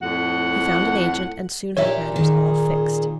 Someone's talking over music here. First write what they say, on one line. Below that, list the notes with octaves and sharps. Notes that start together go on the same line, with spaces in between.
He found an agent and soon had matters all fixed.
F2 A2 F#5
A#2 D4 G4 A4 C#5 E5
D#3 G#4